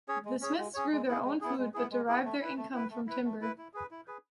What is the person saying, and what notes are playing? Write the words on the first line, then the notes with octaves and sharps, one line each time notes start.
The Smiths grew their own food but derived their income from timber.
C#4 G#4 C#5
G#3
C#4 G#4 C#5
G#3
C#4 G#4 C#5
G#3
B3 E4 G#4
G#3
B3 E4 G#4
G#3
B3 E4 G#4
G#3
B3 E4 G#4
A3
E4 B4
A3
E4 B4
A3
E4 B4
A3
E4 B4
E4
G#4 B4
E4
G#4 B4